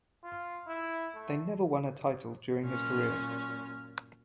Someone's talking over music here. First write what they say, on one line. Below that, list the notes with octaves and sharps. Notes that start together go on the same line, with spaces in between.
They never won a title during his career.
F4
E4
A3
A#2 F#3 C#4 F6